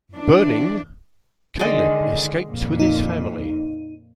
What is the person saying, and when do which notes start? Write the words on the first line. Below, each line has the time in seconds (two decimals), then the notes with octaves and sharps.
Burning, Caleb escapes with his family.
0.12 E3 D4
1.59 D3 D#3 G#3 D5 D#5
2.47 F2 A#2
2.80 D#4